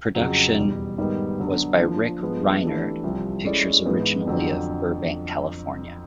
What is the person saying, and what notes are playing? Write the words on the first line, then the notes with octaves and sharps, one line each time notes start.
Production was by Rick Reinert Pictures originally of Burbank, California.
F2 C#3 F#3
E2 B2 G3
G#2 D#3 G3 B3
D3 F#3 B3 D4 F#4
F3 A#3 D4
F3 G#3 B3
E3 A3 D4 G4
C2 C3 F3
G#3 C#4 E4 A4 D5
G#2 E3 G#3 B3
F2 D3 F#3